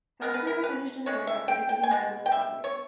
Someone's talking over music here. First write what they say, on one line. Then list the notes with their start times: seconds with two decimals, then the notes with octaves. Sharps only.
South Korea finished in third after defeating Yugoslavia.
0.21 C#3 G#3 B3 A#4
0.34 B4
0.47 A#4
0.64 B4
1.06 C#3 G#3 C#5
1.27 E5
1.48 G5
1.69 G5
1.83 G#5
1.91 B2 G#3
2.26 G5
2.32 E5
2.64 C#5